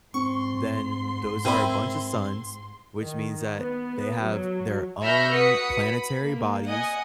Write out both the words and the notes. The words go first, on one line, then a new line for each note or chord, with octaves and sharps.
then those are a bunch a suns, which means that they have their own planetary bodies,
G#2 C4 C6 C#6
C4 E4 A#4 G5 B5 D#7
D#3
B3
F#3
E5 B5 C#6 F6 G6 A#6
F#4 B4 D#6 B6 C#7
B5
A#3
D#5 F#5 G#5 D#6